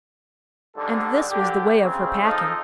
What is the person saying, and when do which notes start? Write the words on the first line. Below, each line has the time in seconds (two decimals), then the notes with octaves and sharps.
And this was the way of her packing.
0.75 G#2 D3 G3 A4
1.30 A#2 D3 G4
1.82 D2 C#3 C4
2.23 F2 F3 D#4 A4